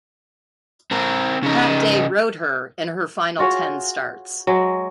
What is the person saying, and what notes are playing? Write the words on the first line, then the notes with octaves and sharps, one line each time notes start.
Pat Day rode her in her final ten starts.
C4 A#4
C#3 D#4
F4 F#4 G#4 C#5
F#3 G#3